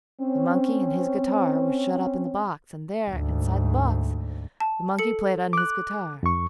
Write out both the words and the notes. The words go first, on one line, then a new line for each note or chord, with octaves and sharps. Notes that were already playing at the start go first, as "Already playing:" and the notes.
The monkey and his guitar were shut up in the box, and there, inside the box, the monkey played on his guitar.
C4 C#4
D2 G#2
A5
A4 C#7
D6 F#6
F2 C#6